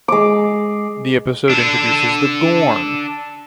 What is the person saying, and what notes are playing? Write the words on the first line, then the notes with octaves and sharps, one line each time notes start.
The episode introduces the Gorn.
G#3 D6
D4 A4